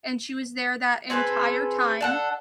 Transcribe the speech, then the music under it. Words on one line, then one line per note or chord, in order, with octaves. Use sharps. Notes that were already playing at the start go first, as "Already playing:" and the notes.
and she was there that entire time,
C4 G#4 A4 B4
D4 A4 F#5